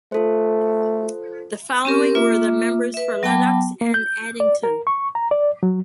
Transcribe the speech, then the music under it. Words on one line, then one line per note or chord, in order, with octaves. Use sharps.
The following were the members for Lennox and Addington.
A3 F4 A4 C5
C4 C#4 G4 A#4
A#3 F4 E5 D6
B4 E5
F#3 B3 G5 A5 B5 D6
A#3
G6
D5
A#4
C#6
A#5
D5
F#3